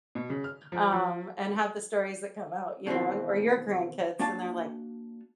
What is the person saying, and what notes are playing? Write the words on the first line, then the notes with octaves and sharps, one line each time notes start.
Um, and have the stories that come out, you know, or your grandkids and they're like,
B2
C#3
F6
F3
F3
B2 D#3 E3 C4
A#3 D4 F#4 F5 A5